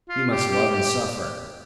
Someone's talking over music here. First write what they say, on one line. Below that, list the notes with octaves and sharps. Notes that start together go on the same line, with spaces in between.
We must love and suffer....
F4
G4
G4
G4